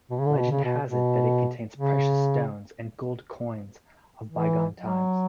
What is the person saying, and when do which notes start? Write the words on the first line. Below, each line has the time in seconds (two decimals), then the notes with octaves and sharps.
Legend has it that it contains precious stones and gold coins of bygone times.
0.10 B2
0.19 C#3
0.26 D3
0.38 B2
0.51 C#3
0.64 B2
0.89 B2
1.77 C#3
4.30 E3
4.80 F#3